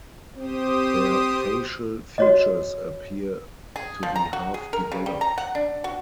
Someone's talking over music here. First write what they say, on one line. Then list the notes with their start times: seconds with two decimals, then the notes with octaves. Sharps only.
Their facial features appear to be half-developed.
0.37 C4 G4 C5 D#6
2.18 F#4 C#5 D#5
3.76 G#4
4.03 F3
4.16 A#5
4.33 F#4
4.54 G#4
4.73 A#4
4.92 C#3
5.06 G3
5.21 A#5
5.38 F#5
5.55 D4
5.84 F#4